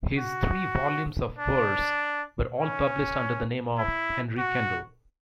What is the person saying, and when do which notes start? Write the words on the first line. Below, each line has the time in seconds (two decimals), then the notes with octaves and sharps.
His three volumes of verse were all published under the name of "Henry Kendall".
0.18 F#4
1.38 D4
2.58 C#4
3.78 E4
4.38 F#4